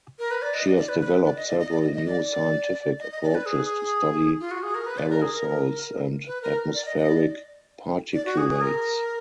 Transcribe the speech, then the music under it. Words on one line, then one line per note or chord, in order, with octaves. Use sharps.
She has developed several new scientific approaches to study aerosols and atmospheric particulates.
A#4
B4
D5
D#5
D5
D5
B4
B4
D5
D#5
D5
D#5
D5
D#5
D#5
D5
D#5
D#5
D5
B4
G#4
F4
F#4
G#4
A#4
B4
D5
A#4
G#4
A#4
B4
A#4
D5
D#5
D#5
D5
D5
F#4
G#4
G#4
A#4